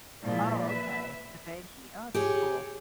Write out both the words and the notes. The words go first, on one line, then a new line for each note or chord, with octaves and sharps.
Oh okay, "Dhivehi," oh it's cool.
A#2 E3 F3 G3 G#3
B4 E5
G4 G#4 C#5